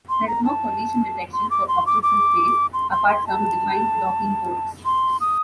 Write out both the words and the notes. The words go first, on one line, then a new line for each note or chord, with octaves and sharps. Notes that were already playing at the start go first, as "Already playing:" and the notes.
There is no collision detection for objects in space, apart from defined docking ports.
C6
A#5
A5
C6
D6
C6
D6
D6
C6
C6
C6
A5
C6
D#6